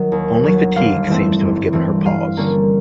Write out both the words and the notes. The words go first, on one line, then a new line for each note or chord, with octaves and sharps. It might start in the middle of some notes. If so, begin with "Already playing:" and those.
Only fatigue seems to have given her pause.
Already playing: D#3 F#3
D#2
D#3 F#3
G1 F5
G2 E3 A3 C4 E5
G1
G2 E3 A3 C4
G2 F5
D3 G3 A#3 C#4